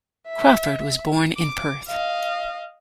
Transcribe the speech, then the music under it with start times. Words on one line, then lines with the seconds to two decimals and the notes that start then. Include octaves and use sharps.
Crawford was born in Perth.
0.28 E5
1.36 D6
1.88 D#5 F5